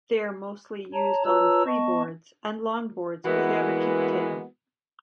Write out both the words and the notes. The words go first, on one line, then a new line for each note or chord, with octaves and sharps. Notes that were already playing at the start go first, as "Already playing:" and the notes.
They are mostly used on freeboards and longboards without a kicktail.
C#5 A5 A#5
F4 B4 C#5 A5 A#5 E6
B3 D#5 A5 C#6
E3 G#3 A#3 B3 E4 F#4